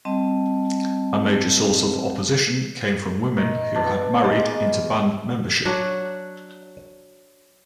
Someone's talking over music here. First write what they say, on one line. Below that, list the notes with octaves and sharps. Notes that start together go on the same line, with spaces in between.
A major source of opposition came from women who had married into band membership.
G3 C4 D#5 A5
D#3
B2 D4
D#3 G#3 F4 D6
F#3 D4 F#4